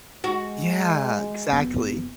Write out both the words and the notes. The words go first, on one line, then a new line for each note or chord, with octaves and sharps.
Yeah, exactly.
G#3 F#4
F#1 B3